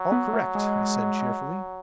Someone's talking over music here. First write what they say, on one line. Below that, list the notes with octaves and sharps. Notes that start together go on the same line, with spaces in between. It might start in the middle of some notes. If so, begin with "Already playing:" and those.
"All correct," I said cheerfully.
Already playing: F#3
B3
A3
G#3